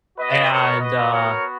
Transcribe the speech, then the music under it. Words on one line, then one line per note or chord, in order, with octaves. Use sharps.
and, uh,
B3 F#4 B4 D#5
A#4 C#5
B4 D#5
A#4 C#5